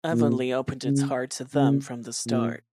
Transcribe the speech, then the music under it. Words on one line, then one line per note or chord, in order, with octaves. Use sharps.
Avonlea opened its heart to them from the start.
A#2
C#3
C#3
A#2